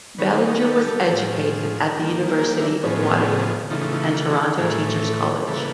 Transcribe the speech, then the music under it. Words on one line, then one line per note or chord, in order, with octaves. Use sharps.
Ballinger was educated at the University of Waterloo and Toronto Teacher's College.
D#3 G3 B3 B4 C#5
C5 D5
C#5 D#5
G4 A4
A2 F3 G#3
D#3 G3 A#3
G#4 A#4
D4 E4
A2 F3 G#3 B3 C#4
C#3 E3 A3 D#4 F4
D#4 F4
D#4 F4
E4 F#4
F4 G4
F#4 G#4
G4 A4
A2 E3 A3 G#4 A#4
C#3 E3 G3 A#3 A4 B4